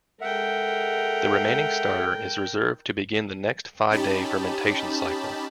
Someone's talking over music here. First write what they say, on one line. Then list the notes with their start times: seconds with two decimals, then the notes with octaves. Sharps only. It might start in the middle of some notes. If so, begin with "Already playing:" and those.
The remaining starter is reserved to begin the next five-day fermentation cycle.
0.21 G#3 A4 A#4 E5 F#5 G5
3.91 C#4 D#4 G4 A5 B5